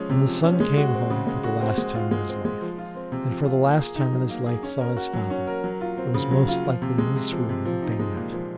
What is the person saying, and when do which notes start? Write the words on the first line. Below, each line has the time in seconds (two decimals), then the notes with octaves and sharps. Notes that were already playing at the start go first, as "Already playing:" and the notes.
When the son came home for the last time in his life, and for the last time in his life saw his father, it was most likely in this room that they met.'
Already playing: F3 G#3 C#4
0.09 C3
0.27 F3
0.44 C#4
0.60 G#3
0.77 F#4
0.94 C4
1.10 C#3
1.27 G#3
1.44 F#4
1.61 C4
1.78 G#3
1.95 F4
2.11 G#3
2.28 C4
2.45 G#3
2.61 F3
2.78 F4
2.95 C4
3.12 C3
3.29 F3
3.46 F4
3.63 A#3
3.79 G#4
3.96 D#4
4.13 F#3
4.30 A#3
4.46 G#4
4.63 C#4
4.80 A#4
4.97 F#4
5.14 F#3
5.30 C#4
5.47 A#4
5.64 F#3
5.81 F4
5.97 C4
6.14 C#3
6.31 F#3
6.48 F4
6.65 F3
6.82 C3
6.98 G#3
7.15 C3
7.32 F3
7.49 C3
7.65 F3
7.82 D#4
7.99 G#3
8.16 A#2
8.33 F3